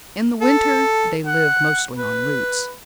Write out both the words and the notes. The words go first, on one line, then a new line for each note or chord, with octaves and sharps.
In the winter they live mostly on roots.
A4
F#5
B4